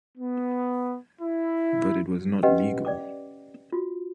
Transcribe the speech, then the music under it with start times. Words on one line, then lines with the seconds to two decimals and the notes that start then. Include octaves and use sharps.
But it was not legal.
0.18 B3
1.21 E4
2.43 C#4 G4 B4 D#5 F#5 G5
2.85 D5 G5 D6
3.72 F4 F#4